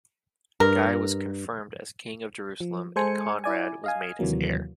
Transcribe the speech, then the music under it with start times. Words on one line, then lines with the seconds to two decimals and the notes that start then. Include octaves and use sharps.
Guy was confirmed as king of Jerusalem, and Conrad was made his heir.
0.60 G2 A#4
2.60 F3
2.96 G#3 A4 C5 G#5 C#7
3.44 E4 D5 G#5
3.84 D#5 F5 G#5
4.19 D#2 C3 E3 F#3 A#3